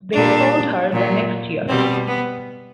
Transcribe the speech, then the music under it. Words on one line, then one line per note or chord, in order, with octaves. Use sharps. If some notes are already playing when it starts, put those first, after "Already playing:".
They sold her the next year.
A#2 G3 D4
A#2 F#3
B2 G3 C4
B3